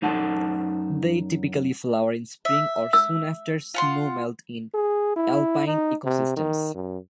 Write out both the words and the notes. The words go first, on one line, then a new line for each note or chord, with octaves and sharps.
They typically flower in spring or soon after snow-melt in alpine eco-systems.
F#2 D#4 F#5 A5
E5
E6
F4 F#5 C6
G#4
E4
D#4
C3
D#3
F#2